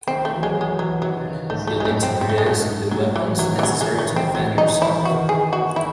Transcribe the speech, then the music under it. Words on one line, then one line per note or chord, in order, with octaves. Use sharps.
You'll need to produce the weapons necessary to defend yourself.
D#3 C4
A3
E3
F#3
G#3
E3
F#3
G#3
E3 F#3
D#3 F#3
D#3
C#3
G#2 A3
A3
G#2
G#3
F#2 A3
G#2
C4
C4
A3
G#3
G#2 A3
G#2
A2 F#3
F#3
E3
E3
D#3 F#3
C#3
E3
C3 F#3
G#3
D#3 A3
E3
D#3 C4
E3
D#3 F#3
E3
D#3 D#4
E3
D#3
E3 E4
D#3
E3 F#4
D#3
G#4
F#4
D#3 E4